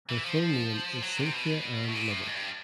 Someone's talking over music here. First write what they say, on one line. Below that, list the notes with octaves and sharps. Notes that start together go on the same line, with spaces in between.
Her full name is Cynthia Ann Lubbock.
E3
F3
F#3
C3
B2
A2
A#2
A2
G#2
G2